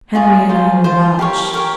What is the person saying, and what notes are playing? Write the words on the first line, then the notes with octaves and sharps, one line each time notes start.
Henri and I will watch.
F4 G#4 C#5
F4 C5 F5
F4 C5
G4 A#4 C#5 F5
G4 A#4 C#5